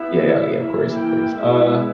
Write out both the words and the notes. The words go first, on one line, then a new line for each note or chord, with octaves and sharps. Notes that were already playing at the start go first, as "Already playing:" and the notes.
Yeah, yeah, yeah, of course, of course, uh
Already playing: G3 B3 E4 E5
E3 A#3 E4
G5
G#3 B3 E4 E5